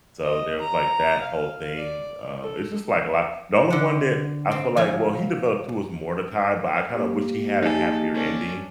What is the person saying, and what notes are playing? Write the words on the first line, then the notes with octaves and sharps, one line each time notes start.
so, there was, like, that whole thing, um, it's just like a lot the only one that I feel like well, he developed too as Mordecai, but I kinda wish he had a happier ending
D#5
A#5
F5
D5
A4
D3 F#5
C4
F3 F#3 G#5
A#3 G4
D#4 G#4 A4
C#4 D4